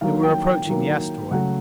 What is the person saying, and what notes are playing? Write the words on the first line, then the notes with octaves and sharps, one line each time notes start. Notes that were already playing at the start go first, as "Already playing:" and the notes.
We were approaching the asteroid.
D#3 F#3 A#3 F5
G5
G5
D#3 F#3 A#3
C#3 F#3 A3 F#5